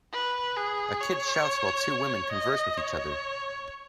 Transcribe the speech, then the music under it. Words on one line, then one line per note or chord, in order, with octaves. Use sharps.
A kid shouts while two women converse with each other.
B4
G#4
C#5
D#5
C#5